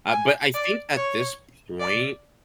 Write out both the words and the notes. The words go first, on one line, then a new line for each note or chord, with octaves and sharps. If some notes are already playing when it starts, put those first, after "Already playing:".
Uh, but I think at this point
G#5
D5
C#5
D5